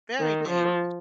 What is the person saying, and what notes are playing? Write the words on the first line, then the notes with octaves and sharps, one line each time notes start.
Very dangerous.
D#3
F3